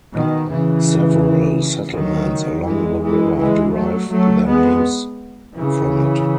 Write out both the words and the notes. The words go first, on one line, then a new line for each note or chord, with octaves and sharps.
Several settlements along the river derive their names from it.
B2 D#3
C#3 E3
D#3 F#3
E3 G#3
E3 G#3
E3 G#3
F#3 A3
F#3 A3
G#3 B3
C#3 E3